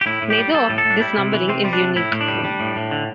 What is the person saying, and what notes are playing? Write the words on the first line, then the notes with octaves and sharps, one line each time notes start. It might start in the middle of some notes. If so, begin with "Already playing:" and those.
Neither of this numbering is unique.
G4
A2 E4
A2
G4
G3
G3 A4
A2
A4
A2
D4
G3 E4
C3
E3
C3 C4
G3
D4
C3
A2 E4
A2
D4
G3
G3
A2
A2
D3